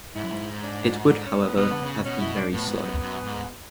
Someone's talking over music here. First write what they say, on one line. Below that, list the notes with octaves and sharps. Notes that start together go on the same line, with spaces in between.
It would, however, have been very slow.
G#2 E4
F#2
G#2
D4
D4
C#4
B3
B2 B3
D3
C#3
B2 C#4
E4
D4
A2 B3
G#2
F#2
F#2
G#2